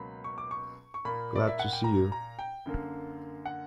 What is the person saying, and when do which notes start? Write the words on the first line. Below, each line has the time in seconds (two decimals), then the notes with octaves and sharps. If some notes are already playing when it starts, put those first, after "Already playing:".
Glad to see you.
Already playing: C#2 B2 F#3 A#3 B5
0.24 C#6
0.38 D6
0.51 C#6
0.94 C#6
1.05 A#2 A#3 B5
1.36 D5
1.47 E5
1.59 F#5
1.73 G5
1.84 A#5
2.12 A#5
2.39 G5
2.66 F#2 D3 A#3
3.46 F#5